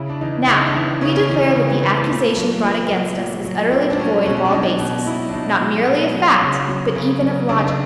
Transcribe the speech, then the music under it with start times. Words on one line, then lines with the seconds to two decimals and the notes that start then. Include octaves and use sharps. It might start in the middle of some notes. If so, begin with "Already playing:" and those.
Now, we declare that the accusation brought against us is utterly devoid of all basis, not merely of fact but even of logic.
Already playing: C#3 E4
0.09 D4
0.21 E3 D#4
0.47 C#3 E4
0.57 D#4
0.66 D4
0.74 E3 D#4
1.01 C#3 C#4
1.16 C#4
1.28 E3 C#4
1.55 C#3 C4
1.69 B3
1.82 E3 B3
1.96 A3
2.10 A#2 A3
2.36 F#3 A#3
2.64 A#2 B3
2.90 F#3
3.18 A#2
3.44 F#3
3.71 A#2 C4
3.90 D4
3.98 F#3 C#4
4.25 B2 C#4
4.37 C#4
4.45 D4
4.52 F#3 D#4
4.79 B2 D#4
5.07 F#3 E4
5.29 D4
5.33 B2 D#4
5.60 F#3
5.88 B2
6.14 F#3
6.41 C#3 C#4
6.68 F#3
6.96 C#3
7.22 F#3
7.49 C#3 D4
7.58 D#4
7.67 D4